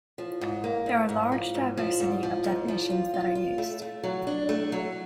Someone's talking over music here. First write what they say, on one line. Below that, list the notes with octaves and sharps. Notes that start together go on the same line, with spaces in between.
There are large diversity of definitions that are used.
F3
G#2
A#3
G#2
G#2
F3
G#2
F3
G#2
F3
G#2
F3
F4
F4
F4
A3
A3
F#3
D4
A3
F#3